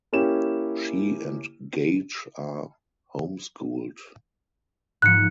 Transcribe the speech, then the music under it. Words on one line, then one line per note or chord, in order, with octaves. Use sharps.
She and Gage are homeschooled.
A#3 C#4 E4 G4 E7
G#2 F3 F#6 C#7